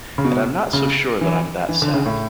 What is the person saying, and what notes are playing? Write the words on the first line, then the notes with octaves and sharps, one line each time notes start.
And I'm not so sure that I'm that sad.
C#3
B2
C#3
E3
E3
D3
C#3
A2